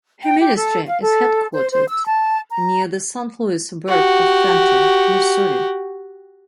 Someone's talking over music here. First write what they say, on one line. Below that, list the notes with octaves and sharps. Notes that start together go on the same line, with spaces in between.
Her ministry is headquartered near the Saint Louis suburb of Fenton, Missouri.
G5
G4
A4
F5
A4
C5
C5
E6
A5
A#5
F#4 G4